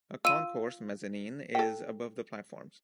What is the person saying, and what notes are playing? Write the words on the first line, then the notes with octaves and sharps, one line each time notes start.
A concourse mezzanine is above the platforms.
F4 E6 D#7
A4 G5